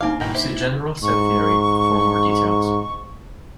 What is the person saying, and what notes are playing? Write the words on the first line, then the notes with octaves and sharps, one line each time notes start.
See general set theory for more details.
G1 A#3 C4 D4 D#4 F5 D6
G#2 B2 E3 A#4 G5 B5
E4 G4 C5
G#2 C#6